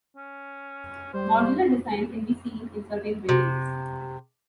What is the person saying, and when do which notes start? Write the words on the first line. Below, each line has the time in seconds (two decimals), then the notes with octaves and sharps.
Modular design can be seen in certain buildings.
0.17 C#4
1.14 G3 C5
3.29 C3